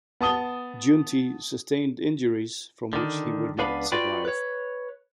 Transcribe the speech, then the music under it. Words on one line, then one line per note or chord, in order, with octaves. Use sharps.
Giunti sustained injuries from which he would not survive.
B3 A5 D#6 G7
D3 D#3
C#2 B3 D4 B4 F5 B5
F4 F#4 B4 D5 G5 B5
B4 C#5